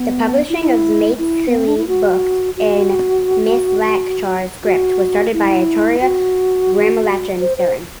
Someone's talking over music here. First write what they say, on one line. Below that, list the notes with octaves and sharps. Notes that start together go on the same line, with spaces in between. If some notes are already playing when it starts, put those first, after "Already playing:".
The publishing of Maithili books in Mithilakshar script was started by Acharya Ramlochan Saran.
Already playing: B3
E4
E4
B3
C4
D4
E4
F#4
F#4
F#4
E4
F#4
C5
C5